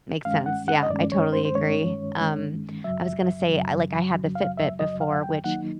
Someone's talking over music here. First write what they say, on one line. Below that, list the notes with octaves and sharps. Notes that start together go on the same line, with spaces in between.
Makes sense, yeah, I totally agree. Um, I was gonna say, I like, I had the Fitbit before, which
G2 D#3 G#3 C#4 F5
F#5
F#5
D#5
G2 D#3 G#3 C#4 D5
C#5
C5
C5
G2 D#3 G#3 C#4 C#5
G2 D#3 G#3 C#4
F#2 C#3 F#3 E5
F#2 C#3 F#3
F#2 C#3 F#3
F5
E5
F#2 C#3 F#3 D#5
F5
F#5
G5
D#3 F#3 A#3 D#4 F#5